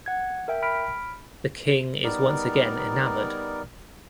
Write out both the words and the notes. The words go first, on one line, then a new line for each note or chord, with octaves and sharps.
The king is once again enamored.
F#5 G#6
A#4 E5 G5
B5 F6 B6 D7
G3 B3 D#4 A#4 D5